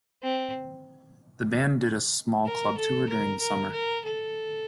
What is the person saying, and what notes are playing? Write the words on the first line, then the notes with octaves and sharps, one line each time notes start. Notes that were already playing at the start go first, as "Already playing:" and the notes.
The band did a small club tour during the summer.
C4
A#4
A4
A#4
A#4
A#4
A4